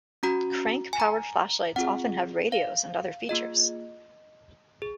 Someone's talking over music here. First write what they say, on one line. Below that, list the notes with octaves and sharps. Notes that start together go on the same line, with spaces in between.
Crank powered flashlights often have radios and other features.
C#4 F#4 A#5
G#5
A#5
C4 F4 G#4 F#5
F5
A#3 F4 G#4 D#5
G#4